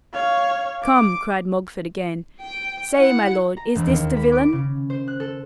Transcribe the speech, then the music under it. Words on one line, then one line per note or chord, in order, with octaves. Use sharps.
"Come," cried Mogford again; "say, my lord, is this the villain?"
C#5 F5
D6
G5
E4 F#5
A#5
E1
D#2
B5
D6
C#3
C5
F#6
A4